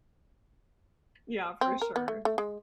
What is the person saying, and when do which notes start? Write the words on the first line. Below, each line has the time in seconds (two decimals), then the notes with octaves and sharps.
Yeah, for sure.
1.61 C4
1.82 A#4
1.96 B3
2.08 A3
2.25 A3
2.38 G#3